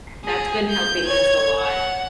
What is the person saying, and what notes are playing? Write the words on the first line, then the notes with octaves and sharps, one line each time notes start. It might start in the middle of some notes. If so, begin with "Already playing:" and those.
that's been helping us a lot.
G#4
G6
C#5 G#6
F#5